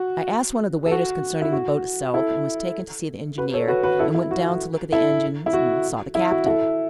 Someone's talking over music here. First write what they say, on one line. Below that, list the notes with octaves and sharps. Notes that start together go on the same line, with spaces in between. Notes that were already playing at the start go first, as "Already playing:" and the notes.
I asked one of the waiters concerning the boat itself, and was taken to see the engineer, and went down to look at the engines, and saw the captain.
Already playing: F#4
A4
F#4
E4
F#4
E4 A4
F#4 B4
A4 C#5
F#4 B4
F#4 B4
E4 A4
E4
F#4
E4 A4
E4
F#4
E4
F#4
E4 A4